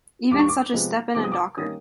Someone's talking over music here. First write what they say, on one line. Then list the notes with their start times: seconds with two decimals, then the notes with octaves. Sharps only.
Even such as Stepan and Docker.
0.31 D#2 D#3 G3 D6
0.39 C#6
0.49 D6
0.73 C3 F3 G#3 B3
1.15 C3 F3 G#3 B3 D6
1.24 D#6
1.32 D6
1.57 D#3 G3 A#3 C#4 D#6